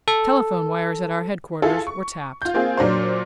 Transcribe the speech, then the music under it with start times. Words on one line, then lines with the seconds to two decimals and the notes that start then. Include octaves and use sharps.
Telephone wires at our headquarters were tapped.
0.08 A4
1.62 E4 F4 G#4 A4
1.87 C#6
2.42 F4 G6
2.54 A#3 C4 F4 G#4
2.77 A#2 F#3 D4 C5